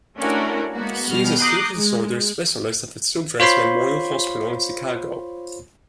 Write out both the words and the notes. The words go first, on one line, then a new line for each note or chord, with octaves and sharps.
He is a sleep disorders specialist at the Children's Memorial Hospital in Chicago.
A3 C#4 D4 E4 F#4 A#4
G#3 A#3 B3 F#4
B2 G3 F6
A#5 D6 D#6 F#6 G6 C7
G#3
F4 C5 C#5 B5 C6